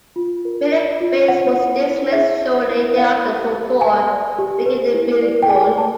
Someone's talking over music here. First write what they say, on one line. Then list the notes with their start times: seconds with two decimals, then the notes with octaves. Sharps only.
Billy Bates was dismissed shortly thereafter for four, bringing in Billy Gunn.
0.16 F4
0.45 A#4
0.73 D5
1.01 F4
1.28 C5 F#5
1.57 E4
1.84 E4
2.13 G#4 E5
2.41 C5
2.70 E4
2.97 D5 F5
3.26 G4
3.54 G4
3.81 B4 G#5
4.10 D5
4.39 G4
4.66 B4
4.94 E4
5.22 D5
5.43 G5
5.50 G#4 G#5
5.78 B4 A5